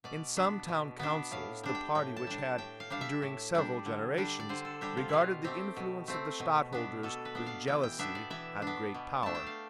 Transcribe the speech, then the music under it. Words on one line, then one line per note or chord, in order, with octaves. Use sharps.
In some town councils the party which had, during several generations, regarded the influence of the Stadtholders with jealousy had great power.
B2 D5
B3 D4
B2
B3 D4
A2 F5
G3 D4
G5
A2 G5
A5
G3 D4
A5
A2 G5
F5
G3 D4 F5
E5
A2
G3 D4
D3
G3 D4
D5
D3 C5
A4
G3 D4 G4
F4
B2 E4 F4
A3 C4 G4
B2
A3 C4
B2
B3 D4
B2 A4
B4
B3 D4
F5
E3 G5
G5
B3 D4 E5
D5
E3 E5
B3 D4
B2
A3 D4 A5
G5
F5